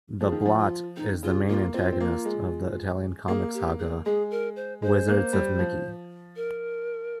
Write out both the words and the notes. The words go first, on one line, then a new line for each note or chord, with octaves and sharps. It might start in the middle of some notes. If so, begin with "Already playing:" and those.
The Blot is the main antagonist of the Italian comic saga "Wizards of Mickey".
F3 G#4
D#3
F3
F4
D#3 D#4
C#3 F4
A#3 F4
C4 F4
C4
A#3
G#3
A#3 G#4
G4
G#4
G#3 G#4
A#4
C5
G#3 C5
A#3
G3
F3
A#4